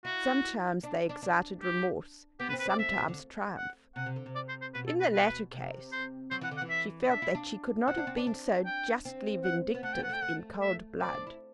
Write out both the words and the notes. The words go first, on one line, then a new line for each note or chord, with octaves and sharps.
Sometimes they excited remorse, and sometimes triumph; in the latter case she felt that she could not have been so justly vindictive in cold blood.
E4 F#4
D4
D4
D4
G4
B3 G4
B4
C4
B4
C4 D5
A3 E5
G3
F#3
D3
F#5
C3 F#5
C3
D3
C3
D5
C5
C5
B2 B4
A4
B4
B4
C3
C5
F#3 C5
E3 F#5
D3
F#5
E3
E5
D4 E5
E4
D4
C4 F#5
D4
C4
D4
D4
G5
C4
F#5
B3
A3 F#5
B3 G5
F#5
A3 G5
A3 F#5
E5
C4 D5
D4
E4